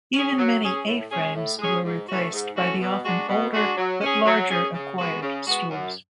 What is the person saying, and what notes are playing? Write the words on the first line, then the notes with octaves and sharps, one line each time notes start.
Even many A-Frames were replaced by the often older but larger acquired stores.
C#4 G#4
F#3
C#4 G#4
A2
G#3 C#4 G#4
A2
G#3 C#4 G#4
G#2
E3 A3 C#4 F#4
G#2
E3 A3 C#4 F#4
B2
G#3 D4 F#4
B2
G#3 D4 F#4
F#3
C#4 G#4
F#3
C#4 G#4
C#3
G#3 B3 F#4
C#3
G#3 B3 F#4
F#2